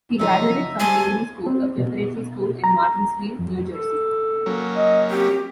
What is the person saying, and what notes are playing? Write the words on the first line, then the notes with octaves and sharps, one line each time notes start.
He graduated from Pingry School, a preparatory school in Martinsville, New Jersey.
C#2 F3 F#3 D#4 E5
G3 C5 G#5 A5
C4
B2
A#5
F2
A4
F#3 A#3 C#4
D#5
C4 G4